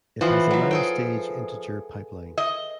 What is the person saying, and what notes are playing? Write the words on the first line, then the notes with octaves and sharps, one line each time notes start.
It has a nine-stage integer pipeline.
E3 F3 B3 C5
F#3 E5
G#4 A4 G5
D#5